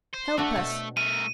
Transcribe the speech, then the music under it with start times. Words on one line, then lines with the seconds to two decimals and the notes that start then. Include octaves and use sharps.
Help us.
0.13 C5
0.37 A3 D4 F#4
0.56 B2 C4
0.97 A3 A#4 D#7